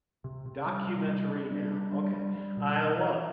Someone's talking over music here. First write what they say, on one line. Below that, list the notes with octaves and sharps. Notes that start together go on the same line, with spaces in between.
Documentary Now, okay. I love
C3
C3
G3
G3
C3
D4
G3
D4
G3
G3
G3
B2
E3
E3